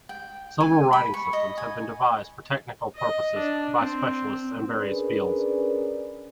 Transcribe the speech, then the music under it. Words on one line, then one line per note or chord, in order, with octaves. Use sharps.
Several writing systems have been devised for technical purposes by specialists in various fields.
G5
G#5
B5
C#6
D#5
G#5
D#5
D4
C4
C#4 D4 G#4 A#4 B4 D5